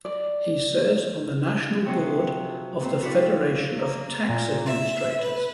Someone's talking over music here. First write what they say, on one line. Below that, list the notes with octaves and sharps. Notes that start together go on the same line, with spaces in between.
He serves on the national board of the Federation of Tax Administrators.
D5
C3 F3 F#3 C4 F#4 G#4
A#2 C4
E4 F#4 A4 B4 D5 F5
A#3
A#2
E5
B4